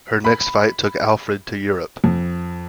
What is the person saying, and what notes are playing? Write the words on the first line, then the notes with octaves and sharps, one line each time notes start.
Her next fight took Alfred to Europe.
B5
F2